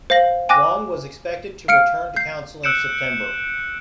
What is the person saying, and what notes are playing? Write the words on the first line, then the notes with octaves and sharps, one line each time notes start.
Wong was expected to return to council in September.
C5 F5 A#6 F#7
G5 G#5 D6 F#6 A#6
F5 F6 C#7 D7
G6 C7
E6 F#6 G6 C#7 D7 E7